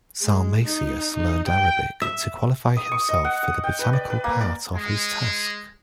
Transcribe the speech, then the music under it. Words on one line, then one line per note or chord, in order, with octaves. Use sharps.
Salmasius learned Arabic to qualify himself for the botanical part of his task.
G#3
D#4
D#4
G5
E5
D#6
C#6
D#5
F#5
F#5
G5
B4
D5
B4
A#3
D5
G#3